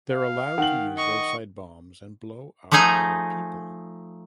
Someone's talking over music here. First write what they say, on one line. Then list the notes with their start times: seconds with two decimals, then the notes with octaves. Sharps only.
They’re allowed to use roadside bombs and blow up our people.
0.12 F5
0.58 D#3 F#5 G5 F#7
0.97 D#5 C#6
2.71 F3 A3 D#4 G#4 G#5 A#5